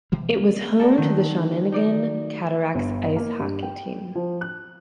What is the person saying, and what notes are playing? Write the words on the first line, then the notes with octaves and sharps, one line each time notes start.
It was home to the Shawinigan Cataractes Ice hockey team.
B2 E3 G3
A#3 C4 C#4
A4 A#4 D5
D#3 F#3
D#4 D5
G1
A#3
G2
G5
F3
F#6